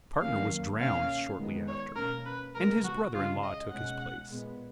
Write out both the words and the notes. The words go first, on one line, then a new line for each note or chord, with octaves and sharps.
The partner was drowned shortly after, and his brother-in-law took his place.
D#3 F#3 A#3 C#4 F5
B2 A#3 C#4 F5
D#3 G#3 B3
C#5
B2 A#3 C#4 A#4
B4
C#3 G#3 B3 A#4
F#4
C#3 G#3 C#4 F4
D#5
B2 G#3 C#4 F#5
A#2 G#3 B3